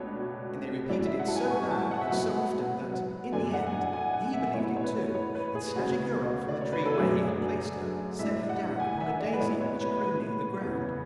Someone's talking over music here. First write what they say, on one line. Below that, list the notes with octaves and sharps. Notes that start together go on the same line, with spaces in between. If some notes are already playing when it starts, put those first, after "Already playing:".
And they repeated it so loud and so often that, in the end, he believed it too, and snatching her up from the tree where he had placed her, set her down upon a daisy which grew near the ground.
Already playing: C#2 B2 A3 D4 C#5
G#2 F#3 C#4 E4 D5
E5
F#5
A5
G#5
C#6
A5
F#5
E5
G#2 F#3 B3 F#5
F#2 D3 A3 D4 G#5
F#5
G#5
F#5
G#5
F#5
E5
A2 E3 B3 C#5
C#5
B4
C#5
B4
G#4
D2 C#3 G#3 F#4
D5
C#5
B4
A4
F#2 D3 F#3 A3 D4 G#4
A2 G#3 D4 E5
F#5
G#5
E5
D5
B4
A2 E3 G#3 B3 C#5
C#5
B4
B4
E2 C#3 E3 B3